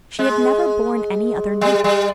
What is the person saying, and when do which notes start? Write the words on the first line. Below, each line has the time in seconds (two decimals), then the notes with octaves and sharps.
She had never borne any other name.
0.19 G#3
1.61 G3
1.84 G3